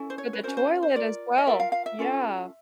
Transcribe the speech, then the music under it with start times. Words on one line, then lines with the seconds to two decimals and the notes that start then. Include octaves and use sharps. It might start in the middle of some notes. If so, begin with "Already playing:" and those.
With the toilet as well. Yeah.
Already playing: C#4 E4 A4
0.10 C5
0.18 C#5
0.33 B4
0.43 C#4 F#4 A#4 C5
0.57 C5
0.82 C5
0.95 F4 A#4 D5
1.38 D#5
1.47 F4 A#4 E5
1.60 F5
1.72 F5
1.86 E5
1.99 C#4 F4 A4